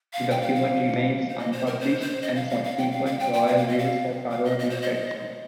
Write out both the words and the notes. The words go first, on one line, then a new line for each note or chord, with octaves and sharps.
The document remains unpublished, and subsequent royal wills have followed this tradition.
F5
G5
F5
F5
C5
D#5
C5
A#4
C5
C5
D#5
F5
F5
F5
G5
F5
F5
G5
G5
F5
F5
D#5
F5
F5
D#5
D#5
C5
D#5